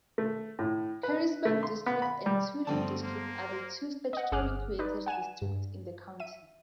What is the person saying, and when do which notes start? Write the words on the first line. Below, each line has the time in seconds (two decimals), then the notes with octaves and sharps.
Careysburg District and Todee District are the two statutorily created districts in the county.
0.18 A3
0.59 A2
1.03 B4
1.45 A3
1.63 C6
1.86 B3
2.02 B5
2.26 G3
2.67 G2 D3 F3 G3 A3 B3 C4 A5
3.04 A#3 C5
4.13 D#5 F#5
4.32 G1 G#4 D6 F6 F#6
4.79 D#4 B4 D5
5.06 F#5 G#5 D#7 E7
5.42 G2
6.20 E5 D#7